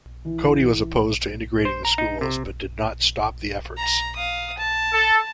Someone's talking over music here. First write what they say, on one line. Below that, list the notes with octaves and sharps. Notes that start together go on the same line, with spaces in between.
Cody was opposed to integrating the schools but did not stop the efforts.
E3
E3
C5
A#5
D#4
C3
A#5
F5 D#6
A5
A4